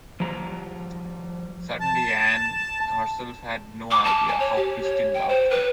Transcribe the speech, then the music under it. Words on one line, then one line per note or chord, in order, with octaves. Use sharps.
Certainly Anne herself had no idea how Christine loved her.
F3 G3 A#5
A5
D6
A5
G#5
C#5
G4
C#5
G5
C5
B4